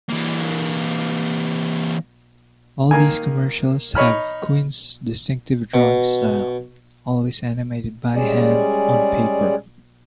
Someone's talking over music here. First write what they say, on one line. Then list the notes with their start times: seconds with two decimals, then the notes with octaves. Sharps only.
All these commercials have Quinn's distinctive drawing style, always animated by hand, on paper.
0.10 E3 A#3
2.91 D#3 A#3 G#5
3.95 D#4 C#5 B5 F6
5.74 B2
8.14 G3 G#3 C#4 G#4 D5